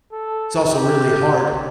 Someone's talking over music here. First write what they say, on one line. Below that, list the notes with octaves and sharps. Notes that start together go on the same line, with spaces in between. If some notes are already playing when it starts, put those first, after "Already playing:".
It's also really hard.
A4
G4